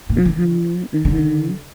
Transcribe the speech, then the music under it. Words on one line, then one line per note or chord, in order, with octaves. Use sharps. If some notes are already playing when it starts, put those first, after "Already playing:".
Mhm. Mhm.
A#2
D3
D3